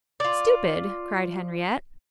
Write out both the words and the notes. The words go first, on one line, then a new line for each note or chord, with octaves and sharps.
"Stupid!" cried Henriette.
F4 D5